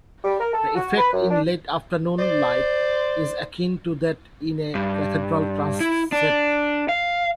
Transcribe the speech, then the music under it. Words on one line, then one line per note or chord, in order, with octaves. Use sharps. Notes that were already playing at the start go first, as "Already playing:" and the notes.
The effect in late afternoon light is akin to that in a cathedral transept.
G3
A#4
A4
F#4
B4
F#2
D4
C5 D5
G2
E4
D4
F5